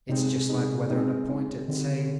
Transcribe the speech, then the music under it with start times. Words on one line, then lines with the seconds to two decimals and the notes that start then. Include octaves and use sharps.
It's just like weatherin' a point at say.
0.09 C3 G#3 C4 D#4
0.49 G#3 C4 D#4
0.89 G#3 C4 D#4
1.29 G#3 C4 D#4
1.67 D3 G3 C4 D#4